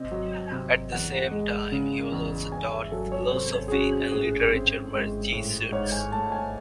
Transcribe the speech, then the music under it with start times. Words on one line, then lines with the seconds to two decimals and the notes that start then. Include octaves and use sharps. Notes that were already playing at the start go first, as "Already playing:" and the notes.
At the same time he was also taught philosophy and literature by Jesuits.
Already playing: C3 C4 D#5
0.12 F#3
0.52 C3
0.92 E2 F#5
1.31 G#3
1.72 C#3
2.12 E2
2.52 E2 G#5
2.72 E5
2.92 F#3 A4
3.12 C#5
3.32 C3 C5
3.68 G#4
3.72 C#4 F#4
4.12 A2 G#4
4.53 C4
4.92 G#3
5.32 A2
5.72 G#2 C#5
5.92 G#5
6.12 A3 A5
6.32 G#5